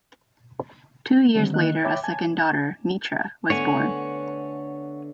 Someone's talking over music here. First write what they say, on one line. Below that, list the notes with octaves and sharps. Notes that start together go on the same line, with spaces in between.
Two years later a second daughter, Mitra, was born.
D3 D#3 G3 C4
D#3 A#3 D#5 F#6
C#5 E5 G5 B5 D6
G#5 A5 G#6
D3 A3 B3 C#5 F#5 G#5